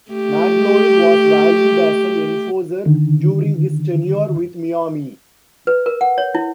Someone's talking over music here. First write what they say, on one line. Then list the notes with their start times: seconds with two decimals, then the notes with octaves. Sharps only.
Magloire was valued as an enforcer during his tenure with Miami.
0.11 A3 G4
2.86 D3 D#3
5.67 B4
5.86 A#4
6.01 F#5
6.18 C#5
6.35 E4